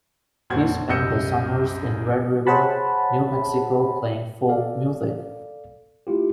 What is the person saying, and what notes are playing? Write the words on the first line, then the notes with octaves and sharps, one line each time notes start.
He spent the summers in Red River, New Mexico playing folk music.
F#1 F2 A#2 C4 F#4 G#6
C2 F#2 D#5 E6 G6 C#7
G#4 C5 C#5 F#5 A5 B5
A4 D5 F5
A3 E4 F4 G4